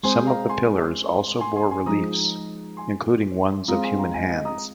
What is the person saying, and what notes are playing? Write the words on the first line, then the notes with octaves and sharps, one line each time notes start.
Some of the pillars also bore reliefs, including ones of human hands.
G#3 C4 G#4 C5 G#5 C6
F5 A#5
G#5 C6
G#5 C6
G#5 C6
G#5 C6
F3 G#3 D#4 A#5 D#6
G#5 C6
G#3 C4 F4 A#5 D#6
G#5 C6
F5 A#5
D#5 G#5
D#5
A#5 D#6